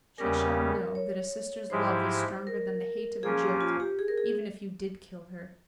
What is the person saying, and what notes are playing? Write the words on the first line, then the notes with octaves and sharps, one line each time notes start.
She shall know that a sister's love is stronger than the hate of a jilt--even if you did kill her.
E2 C#3 G3 C#4 G4 A#4
C#5
G#2 F3 G#3 E4 G4 C5
A#4
A#2 F3 A#3 C#4 G#4
G4
F4
G4
G#4
A#4
G#4